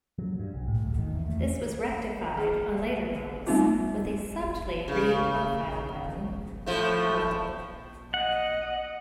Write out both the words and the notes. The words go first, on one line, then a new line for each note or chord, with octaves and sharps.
This was rectified on later models with a subtly re-profiled button moulding.
F#3
G2
B1
A2
D2
D#3
E2
A3
G#4
G3 A3 B3 C4 D#4 F4
C#3
A2 F3 A3
D#5 F#5